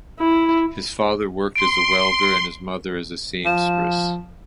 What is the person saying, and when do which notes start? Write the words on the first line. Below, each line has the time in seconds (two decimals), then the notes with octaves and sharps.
His father worked as a welder and his mother as seamstress.
0.20 E4
1.56 C6 D7
3.45 F3